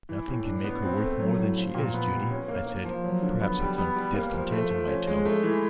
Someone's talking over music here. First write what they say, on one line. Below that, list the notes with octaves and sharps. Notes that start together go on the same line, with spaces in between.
"Nothing can make her worth more than she is, Judy," I said, perhaps with some discontent in my tone.
E3
A2
D4
B3
C4
A3
F#3
A2
F3
A#2
B3
G3
C#4
A#3
A#3
F3
F#3
D3
B3
G3
B3
G3
A#3
F3
A3
F3
C#4
G#3
A3
E3